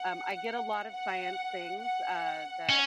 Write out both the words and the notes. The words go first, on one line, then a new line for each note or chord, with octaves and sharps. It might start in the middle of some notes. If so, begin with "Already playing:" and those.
um, I get a lot of science things, uh, that
Already playing: F#5
F#5
F#5
C#4